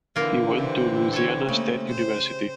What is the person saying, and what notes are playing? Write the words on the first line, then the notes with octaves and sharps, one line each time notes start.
He went to Louisiana State University.
D3 E3 A#3 F4
C3
A4 C#5
C#3 A3 A#3
C5